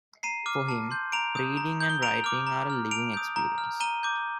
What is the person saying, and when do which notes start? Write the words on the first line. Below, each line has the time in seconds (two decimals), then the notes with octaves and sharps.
For him, reading and writing are a living experience.
0.23 A#5 C7 D#7
0.46 D6 F6
0.68 A5
0.91 C6 G6
1.12 A#5 D7 F7
1.35 D#6 G6
1.57 A#5
1.80 D#6 G6
1.90 G7
2.02 A#5 D7 F7
2.24 D6 F6
2.47 A#5
2.70 F6
2.91 A5 D7 F7
3.14 D#6 G6
3.36 A#5
3.58 F6
3.80 A#5 D#7 G7
4.03 D6 G6